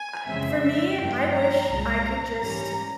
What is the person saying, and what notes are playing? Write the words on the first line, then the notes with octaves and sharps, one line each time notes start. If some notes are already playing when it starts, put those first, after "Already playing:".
I for me, I wish I could just n
Already playing: G#5
F2 C#3 E3 G#3 C4 E5
E5
G2 F3 A#3 G5
A#5
C2 A#2 G#3
G#2 E3 G3 C#4 A#5